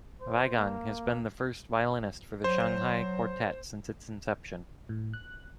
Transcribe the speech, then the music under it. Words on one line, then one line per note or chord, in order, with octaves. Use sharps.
Weigang has been the first violinist for the Shanghai Quartet since its inception.
C5
A#3
F#3 C5
A2
F#6